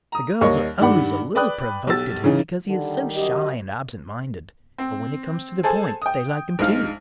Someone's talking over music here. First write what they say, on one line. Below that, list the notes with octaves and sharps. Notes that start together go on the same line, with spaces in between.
The girls are always a little provoked at him because he is so shy and absent-minded, but when it comes to the point, they like him too.
A#5 D#6
D#2 G3 A#4 C#5 D#5 C#6
G2 D#3 G3 D5 F#5 B5
B4 D5 G5 B5 D#6 F#6
B1 G4 E6 A6
C#3 E3 C#4 D#4
D3 D#3 G3
F#2 G4 D#5
C4
G#4 A4 C5 G#5 A5
G5 D#6
A#1 G#3 D#4 F5 F6